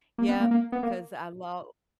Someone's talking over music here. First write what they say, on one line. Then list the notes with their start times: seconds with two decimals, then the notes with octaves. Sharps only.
Yep. 'Cause I los
0.18 A#3
0.29 B3
0.40 A#3
0.51 A#3
0.72 B3
0.83 A#3